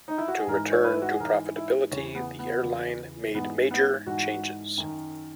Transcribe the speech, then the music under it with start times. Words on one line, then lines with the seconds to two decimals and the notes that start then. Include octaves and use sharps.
To return to profitability, the airline made major changes.
0.08 D#4
0.18 E4
0.28 F#4
0.38 G#4
0.47 G#2 E3 A#4
0.72 C#5
0.84 B4
0.92 E4
1.02 F#4
1.11 G#4
1.20 G#2 E3 A#4
1.56 E4
1.91 E2 C#3 E3 C#4
2.15 B3
2.39 B3
2.63 E2 C#3 E3
3.34 G#2 E3 B3
3.71 B3
4.07 G#2 E3 F#4
4.78 F#2 D#3